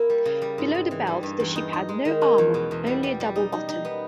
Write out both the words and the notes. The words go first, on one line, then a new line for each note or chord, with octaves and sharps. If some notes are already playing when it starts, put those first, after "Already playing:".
Below the belt the ship had no armor, only a double bottom.
Already playing: A#3 E4
G3
C#3
G3
G#2
G#2
E3
G3
G2
E2
D#4
D#4
G#3
D#3
C#4
E2
B2
E2
G3
G3
G3
D#4
D#4
D#4
B3